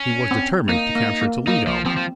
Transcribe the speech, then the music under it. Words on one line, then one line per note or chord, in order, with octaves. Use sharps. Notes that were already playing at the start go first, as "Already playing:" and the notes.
He was determined to capture Toledo.
Already playing: C#4
C4
A#3 D#4
A#3
A#3
A#3 D#4
F3
F3 C4
F3